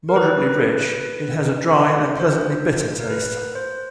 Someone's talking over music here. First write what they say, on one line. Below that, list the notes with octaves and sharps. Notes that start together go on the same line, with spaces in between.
Moderately rich, it has a dry and pleasantly bitter taste.
A#4
B4
C5
A#4
B4
C5